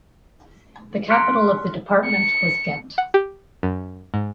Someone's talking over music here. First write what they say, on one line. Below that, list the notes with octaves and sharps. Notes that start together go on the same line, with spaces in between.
The capital of the department was Ghent.
C6 F6 F#6 B6 C#7 D7
C#7
F#5
G4
F#2
G#2